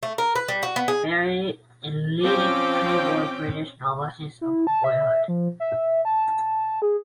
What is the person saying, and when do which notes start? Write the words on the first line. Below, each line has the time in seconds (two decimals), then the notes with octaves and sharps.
Barrie, a leading pre-war British novelist of boyhood.
0.03 A3
0.18 A#4
0.35 B4
0.48 G3
0.63 F#4
0.76 B3
0.88 G#4
2.25 F3 C4 C#4 G5 D6
4.41 E4
4.67 A5
4.84 E5
5.28 F3
5.60 E5
6.05 A5
6.82 G#4